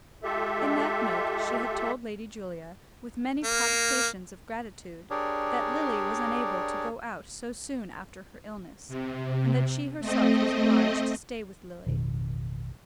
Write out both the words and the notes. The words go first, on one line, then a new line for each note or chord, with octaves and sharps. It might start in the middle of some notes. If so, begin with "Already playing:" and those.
In that note she had told Lady Julia, with many protestations of gratitude, that Lily was unable to go out so soon after her illness, and that she herself was obliged to stay with Lily.
G#3 F4 G4 A4 E5
A#3
D4 G4 G#4 A#4 C#5 D5
C3
A3 C4 D#5
A1 F2 B2 D#3